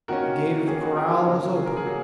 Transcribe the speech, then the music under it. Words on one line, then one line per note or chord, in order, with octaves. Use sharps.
The gate of the corral was opened.
D#3 A#3 C#4 F#4 A#4
D#3 A#3 C#4 G#4
F#4
F#4 A#4
C#3 F#3 A#3
G#4
A#4
G#4
F#3 A#3